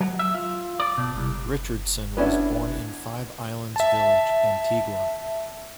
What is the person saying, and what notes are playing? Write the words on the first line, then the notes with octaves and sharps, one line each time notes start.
Richardson was born in Five Islands Village, Antigua.
F#3
E5
F4
D5
B2
C2
B3 C#4 D4 E4
E5 A5